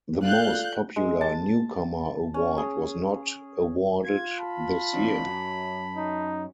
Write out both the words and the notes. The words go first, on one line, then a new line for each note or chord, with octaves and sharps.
The Most Popular Newcomer award was not awarded this year.
F4 A4 D5 F5 F#6 G6
G#3
A5
C#4
G#4
F4 G#6
A5 B5
E3 C4 D4
F#2 C#4
D#4